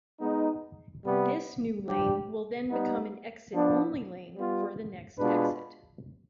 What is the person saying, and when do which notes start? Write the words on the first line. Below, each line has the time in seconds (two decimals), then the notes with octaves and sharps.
This new lane will then become an Exit Only lane for the next exit.
0.19 G#3 B3 D#4
1.03 C3 G3 B3
1.86 G3 D4 G4
2.68 G3 B3 D#4
3.52 F3 B3 D4
4.35 G3 B3 F4
5.19 B2 G#3 D4 F4 B4